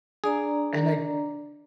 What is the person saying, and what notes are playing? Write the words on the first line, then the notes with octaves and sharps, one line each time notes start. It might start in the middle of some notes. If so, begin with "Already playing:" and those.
And I
D4 G#4 D5 A#5